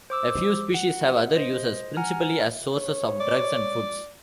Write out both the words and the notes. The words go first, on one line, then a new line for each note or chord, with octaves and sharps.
A few species have other uses, principally as sources of drugs and foods.
C5 D6 E6
F#5
C5 D#5
F#5 G#5 A#5 F6
C#5
D5